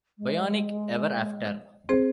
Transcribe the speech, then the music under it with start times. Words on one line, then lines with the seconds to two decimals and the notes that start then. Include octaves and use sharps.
Bionic Ever After?
0.18 G#3
1.89 C4 G#4 C5